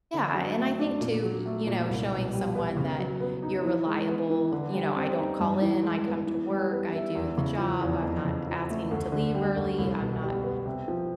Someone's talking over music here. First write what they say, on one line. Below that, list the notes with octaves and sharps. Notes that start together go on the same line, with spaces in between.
Yeah, and I think too, y you know, showing someone that you're reliable, you know, I don't call in, I come to work, I do the job, I'm not asking to leave early, I'm not
D3
F#3
A3
D4
A#2
F#3
A3
A#2
C2
B2
G3
B3
C#3
F#3
B3
D#4
E3
G#3
B3
E3
D3
G3
C4
D#4
G2
E3
G#3
B3
E3
G3
B3
E4
E2
C#3
F3
E2
F2
C#3
F3
A3
D2
D3
G3
D2
C2
B2
G3
B3
C3
F3